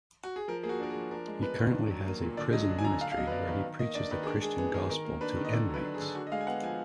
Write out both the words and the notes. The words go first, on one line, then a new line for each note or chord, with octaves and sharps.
He currently has a prison ministry, where he preaches the Christian gospel to inmates.
F#4
G#4
F3 A#4
A#3 G#4
F#4
D4 A#4
G#4
F3
D4 A#4
G#3
B3 B4
D#3
D4
F#3
A#3
A#2
D3 D5
F#3 D#5
D4
G#5
D3 A#5
D4 F5
F5
F#3 D#5
B4
B3 D5
D#3 B4
D#3
A#3 D#5
D4 D5
D#3 B4
G#4
D4 A#4
G#3 G#4
B3 G#4
D#3 G#4
D#3 A#4
A#3
D4 B4
D#3
D#5
D3 D5
F#3
B4
D4
G#4
D3
D4 F#4
D#5
G#3 F5
G#5
B3 F#5
F3 G#5